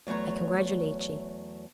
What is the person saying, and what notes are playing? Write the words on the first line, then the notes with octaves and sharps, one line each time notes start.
I congratulate ye.
E2 F#3 A3 C#5 A#5